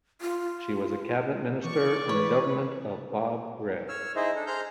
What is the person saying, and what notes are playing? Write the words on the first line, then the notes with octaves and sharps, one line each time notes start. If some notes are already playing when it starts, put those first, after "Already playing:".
She was a cabinet minister in the government of Bob Rae.
F4
E3 D5 C#6
B4 C#5
C#5 E6 F6
D#4 E4 G#4 C5 D#5 E5
D4 A4
G#4 C5 A#5 F6 G6